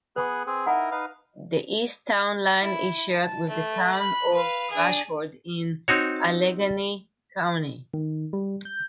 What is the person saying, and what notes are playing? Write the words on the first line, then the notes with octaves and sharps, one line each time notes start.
The east town line is shared with the town of Rushford in Allegany County.
B3 G#4 B4 C#6 F#6
C4 G#4
D#4 E4 A#4 F#5 A5
D#4 B4 F5
E4
A5
A3
B5 F#6
B4 F5
D4 G#4
C4 D#4 F#4 C#5
D#3
G3
G6